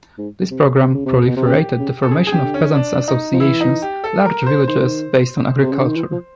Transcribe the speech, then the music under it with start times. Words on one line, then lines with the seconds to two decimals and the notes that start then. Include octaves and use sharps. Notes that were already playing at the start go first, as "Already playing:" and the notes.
This program proliferated the formation of peasant associations, large villages based on agriculture.
0.18 G#2
0.51 C3
0.82 C3
0.94 C#3
1.06 C3
1.27 B2
1.37 C3
1.47 C#3 G4
1.79 C#3
2.03 A4
2.10 C#3 G#4
2.27 G#4
2.32 C#3 G4
2.44 D3
2.54 C#4
2.75 D4
3.08 D#4
3.33 F3
3.39 E3 E4
3.61 D#4
3.82 G4
4.04 A4
4.25 A#4
4.46 C5
4.68 D#3 C5
5.63 C3
5.72 C#3
5.80 D3
5.89 D#3
5.96 E3
6.12 F3